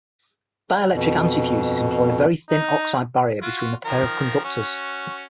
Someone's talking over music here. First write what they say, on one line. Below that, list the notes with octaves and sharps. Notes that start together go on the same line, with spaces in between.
Dielectric antifuses employ a very thin oxide barrier between a pair of conductors.
F2 B2
D#4
F4 F#4
D#3 F3 A#4
C#4 F#4